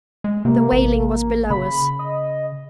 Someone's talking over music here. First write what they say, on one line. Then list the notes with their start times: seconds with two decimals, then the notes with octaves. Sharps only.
The wailing was below us.
0.24 G#3
0.45 C3 A#3
0.72 A1
1.50 C#3 B5
1.99 D#5